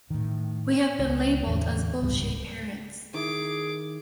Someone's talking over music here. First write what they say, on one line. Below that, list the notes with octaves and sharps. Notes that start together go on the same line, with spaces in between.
We have been labelled as bolshie parents.
A2 D#3
C#2
E2 A2 D3
D1 C#2 G#2 G3
D#3 E4 G#4 D6